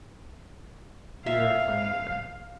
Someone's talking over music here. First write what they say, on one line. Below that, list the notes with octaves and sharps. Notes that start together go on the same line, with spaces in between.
Here are plenty of them.
E5 F5